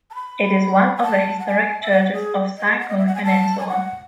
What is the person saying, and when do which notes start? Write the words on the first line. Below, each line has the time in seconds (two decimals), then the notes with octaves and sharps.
It is one of the historic churches of Sai Kung Peninsula.
0.10 A5
0.15 B5
0.97 G#5
1.03 A5
1.39 F#5
1.47 G#5
1.82 E5
1.91 F#5
2.13 G#4
2.58 D#5
2.80 F#5
2.89 D#5
2.98 E5
3.06 F#5
3.15 G#5
3.24 A5
3.60 G#5
3.68 F#5